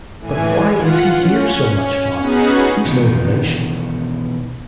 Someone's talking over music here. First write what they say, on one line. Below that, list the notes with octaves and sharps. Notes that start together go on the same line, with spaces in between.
But why is he here so much, father, he's no relation.'
A2 E3 G#5
F4 F#5
C#4
B3 C#4 D#4 F#4 G#4 B4
B2 D#3 E3 B3